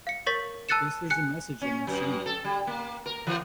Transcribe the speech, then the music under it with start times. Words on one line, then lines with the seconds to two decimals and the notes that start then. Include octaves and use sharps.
I guess there's a message in there somewhere.
0.07 F5 C#7
0.26 A#4 C#5 C#6 A6 B6
0.69 A5 E6 F#6 A6 C#7 E7
1.10 G#5 F#6 C#7
1.61 C#4
1.87 F#2
2.26 A4
2.44 G3
2.67 A#3
3.06 A#4
3.27 E3